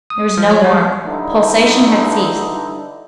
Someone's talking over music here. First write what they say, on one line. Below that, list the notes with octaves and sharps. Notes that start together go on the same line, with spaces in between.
There was no warmth. Pulsation had ceased.
D#6
F3
C#5
G3
G2 D3 D#4 E4